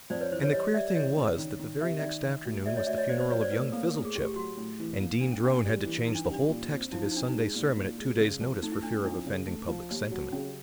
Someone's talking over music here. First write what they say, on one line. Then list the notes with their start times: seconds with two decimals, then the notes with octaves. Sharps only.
And the queer thing was that the very next afternoon was the funeral of young Fizzlechip, and Dean Drone had to change the whole text of his Sunday sermon at two days' notice for fear of offending public sentiment.
0.10 F2 C5 D5
0.21 B4 C#5
0.32 E3 C5
0.42 B4 C#5
0.53 G3 C#5 D#5
0.74 G3 D5 E5
0.88 D5
0.95 E3 C#5 D#5
1.17 C#3
1.38 D#3
1.59 D#3
1.81 C3 E5
1.99 D#3 D5 E5
2.24 D#3
2.45 D2
2.65 D2 D5 E5
2.76 C#5 D#5
2.87 D2 D5 E5
2.98 C#5 D#5
3.09 A#3 C5 D5
3.20 C5 D5
3.30 F#3 B4 C#5
3.41 C5 D5
3.51 A2 B4
3.62 A#4
3.72 A#3 A4
3.83 A#4
3.93 A2 A4
4.05 G#4
4.15 A2 G4
4.25 G4
4.36 F#3 F#4
4.57 A2
4.80 E3
5.00 A#3
5.21 A#3 D4
5.32 C#4
5.43 A#3 D4
5.64 G3
5.85 E3
6.07 E3 D#4
6.15 D4
6.25 G3 C#4
6.34 D4
6.49 A#2
6.71 C4
6.92 F3 E4
7.04 D#4
7.13 C4 D4
7.28 D#4
7.34 G#3
7.55 A#2
7.77 A#2
7.98 G#3
8.20 C#3
8.41 F2
8.62 A3 D#4
8.72 E4
8.83 A3 D4
8.94 C#4
9.05 F2 D4
9.26 C#3
9.47 A3
9.68 F3
9.90 D#2
10.11 F#3
10.32 C#3 C#4